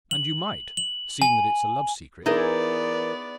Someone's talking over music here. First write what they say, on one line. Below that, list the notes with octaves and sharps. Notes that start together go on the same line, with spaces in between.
And you might--seeing that it's a love secret!
F#7
F#7
G#5
E3 B3 D#4 E4 G#4 A#4 D5